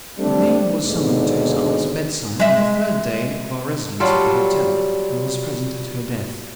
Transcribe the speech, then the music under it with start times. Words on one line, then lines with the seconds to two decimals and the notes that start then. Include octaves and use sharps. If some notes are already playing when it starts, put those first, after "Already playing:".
Romayne was summoned to his aunt's bedside on the third day of our residence at the hotel, and was present at her death.
0.18 G3 A3 C4 D4
0.83 D#2 G#2 B2 D3
2.40 G#3 E5
4.00 F#3 G3 F4 A4